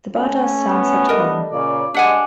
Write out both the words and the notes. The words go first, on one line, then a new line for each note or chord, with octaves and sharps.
The batter stands at Home.
A3 C#4
B3
G3 A3 D4 A#4 D#5
A#2 C#3 D5
G#3 D4 G4 F#5 G#5